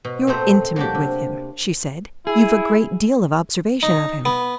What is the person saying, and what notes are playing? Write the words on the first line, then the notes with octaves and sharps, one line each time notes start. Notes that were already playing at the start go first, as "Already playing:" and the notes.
"You're intimate with him," she said; "you've a great deal of observation of him."
B2
A#2 A3 C4 C5 A#5
F#3 A#3 D4 G4
C3
E4 G#4
D#4
B3